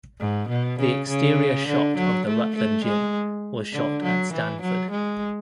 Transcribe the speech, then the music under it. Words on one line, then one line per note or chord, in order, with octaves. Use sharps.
The exterior shot of the Rutland gym was shot at Stanford.
G#2
B2
C#3
C#3
D3
F#3
A3
A3
G#3
D3
F#3
E3
F#3
G#3